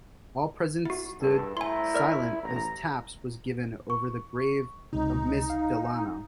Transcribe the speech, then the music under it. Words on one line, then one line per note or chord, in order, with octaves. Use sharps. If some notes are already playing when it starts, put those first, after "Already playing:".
All present stood silent as "taps" was given over the grave of Miss Delano.
E4 F#4
G2 G#4 A4
A3 E4 C5 G#5 A#5 C6
A#4 D5 F6
A1 A#5
C#6
C#2 C3 D#4
F5